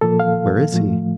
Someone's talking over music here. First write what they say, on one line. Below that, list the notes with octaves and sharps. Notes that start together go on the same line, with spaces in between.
"Where is he?"
A#2 F3 A#3 A4
F5
A2 F3 A3